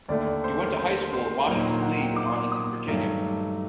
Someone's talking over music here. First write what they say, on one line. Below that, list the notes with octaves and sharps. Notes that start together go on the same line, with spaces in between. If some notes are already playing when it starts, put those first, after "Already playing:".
He went to high school at Washington-Lee in Arlington, Virginia.
D#2 D3 A3 D5
D5
C5
A#4
C5
C5
A#2 F#3 A#3 D#4 A#4
C5
F#5
G5
D6
C6
D6
D#6
G2 D#3 F#3 A3